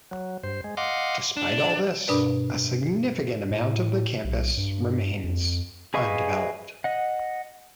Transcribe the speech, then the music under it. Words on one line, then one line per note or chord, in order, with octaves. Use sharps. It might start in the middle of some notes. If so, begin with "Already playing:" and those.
Despite all this, a significant amount of the campus remains undeveloped.
F#3
G2 C5
G#3
D#5 F5 F#5 C6 D6
D4
G2 B2 D4 A#4 B4 D5
A2
B1
G2
F2
G#4 B4 D#5 F5 C#6
D#5 F#5